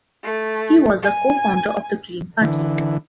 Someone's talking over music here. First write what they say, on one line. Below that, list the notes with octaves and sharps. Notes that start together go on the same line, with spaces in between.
He was a co-founder of the Green Party.
A3
G#5
D3 E3